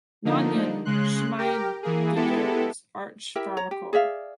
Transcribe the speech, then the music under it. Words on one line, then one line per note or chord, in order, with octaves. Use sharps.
Naunyn-Schmiedederg's Arch Pharmacol.
D3 F3 A#3 D#4
C#3 G#3 C6 F#6
G4 A#4 G5
E3 A#3 G#4
G#3 B3 E4 G4 A4
E4 G4 A#4 E5
C#5 A#5
G4
G#4 D5 E5 F5